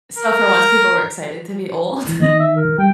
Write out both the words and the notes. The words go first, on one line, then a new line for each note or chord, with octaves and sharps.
So, for once, people were excited to be old?
A#4
E3
D#3 D#5
E5
A#4
G3 G5